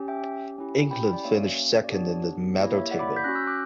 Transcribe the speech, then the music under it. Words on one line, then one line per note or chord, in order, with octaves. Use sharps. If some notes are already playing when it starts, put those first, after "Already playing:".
England finished second in the medal table.
Already playing: C#4 G4
E5 G5
C#4 E4 G4
G5 B5
D5
A#3 C#4 F#4 C#5 E5
D5
B3 D4 G4 C#5
A#3 E4 G4 C#5
C#5 E5
D5 F#5
B5 D6
G6 B6
C#4 F#4 F#6 A#6
E6 G6
D6 F#6